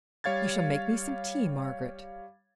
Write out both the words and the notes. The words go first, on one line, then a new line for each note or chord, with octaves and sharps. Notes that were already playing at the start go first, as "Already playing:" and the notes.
You shall make me some tea, Margaret.
G3 C#5 F5 G#6 A6